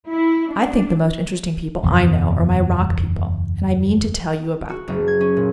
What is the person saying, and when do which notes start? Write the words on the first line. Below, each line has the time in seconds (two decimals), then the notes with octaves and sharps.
I think the most interesting people I know are my rock people and I mean to tell you about them.
0.11 E4
0.53 D4
1.83 F#1 E2 B2
4.70 F#4
4.88 F#1
5.08 G#6
5.21 C#4
5.37 A#2